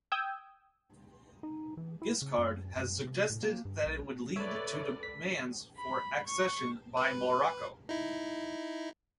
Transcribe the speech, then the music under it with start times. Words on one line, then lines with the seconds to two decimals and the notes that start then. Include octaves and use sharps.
Giscard has suggested that it would lead to demands for accession by Morocco.
0.12 G5 D#6 E6 G6 G#6
1.43 D#4
1.77 E3
2.02 E4
2.22 C#3
2.38 F#2
2.76 F#2
3.05 C3
3.30 A2
3.43 A#3
3.65 G2
3.86 B1
4.36 A4 B4 C#5 D5 E5
5.03 B6
5.75 B5
6.26 C#6
6.97 B4
7.89 D#4 E4